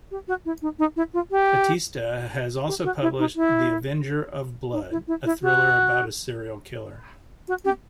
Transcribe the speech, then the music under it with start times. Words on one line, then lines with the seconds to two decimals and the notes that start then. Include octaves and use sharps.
Batista has also published "The Avenger of Blood", a thriller about a serial killer.
0.11 G4
0.28 F#4
0.45 E4
0.62 D#4
0.79 D#4
0.96 E4
1.14 F4
1.31 G4
2.68 G4
2.84 F#4
3.02 E4
3.19 D#4
3.36 E4
4.73 D#4
4.91 E4
5.08 E4
5.25 E4
5.42 F#4
7.48 F#4
7.64 G4